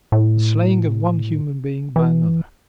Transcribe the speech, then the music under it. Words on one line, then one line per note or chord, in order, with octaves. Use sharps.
The slaying of one human being by another.
A2
E3